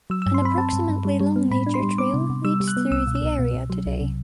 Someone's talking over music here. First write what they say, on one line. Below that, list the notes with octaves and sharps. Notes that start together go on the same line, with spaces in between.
An approximately long nature trail leads through the area today.
F#3 E6
E6
G2
C6
C4 B5
C4 A5
G2
G2
G3
G3
B3
A2 B5
D4
C6
G3
B3 D6
C3
C3
G3 E6
G3
F#6
B3
C2 E6
B2
E6
C2
B2
B2
F#3
C2
C3